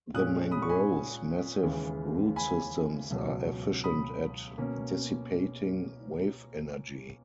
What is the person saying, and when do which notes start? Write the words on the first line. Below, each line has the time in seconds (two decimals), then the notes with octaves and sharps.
The mangroves' massive root systems are efficient at dissipating wave energy.
0.14 A#2 G#3 C#4 D#6 F#6
0.51 B5 D#6
0.62 C#6
0.69 G#5 B5
1.62 D#2 C#3 E3 G#3
2.36 G#5 B5
3.10 C#2 B2 F#3
3.84 B5 D#6
4.58 B2 A#3 C#4